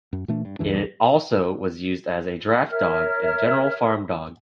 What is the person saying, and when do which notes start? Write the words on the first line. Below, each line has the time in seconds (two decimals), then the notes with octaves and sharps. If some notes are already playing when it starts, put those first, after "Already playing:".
It was also used as a draft dog, and general farm dog.
0.13 F#2
0.28 A#2 E3 A3 D4
0.45 G2
0.59 C#2 G2 E3 D4
0.73 B1 E2
2.69 A#4 C#5 E5 F6